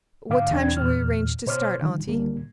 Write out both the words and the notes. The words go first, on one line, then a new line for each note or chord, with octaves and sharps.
"What time shall we arrange to start, auntie?"
G#2 D3 F5 D6
E2 B2 C4 D4 G5 G#6
E2 A#2 F6
B2 C5 C#5 D6 F6
D3 D#3 F3 G3
C#2 D3 G3 A#3